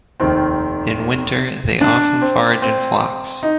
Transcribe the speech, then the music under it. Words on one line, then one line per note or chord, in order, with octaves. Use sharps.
In winter, they often forage in flocks.
F1 D#2 D#3 C4
D4
C4
C4
D#4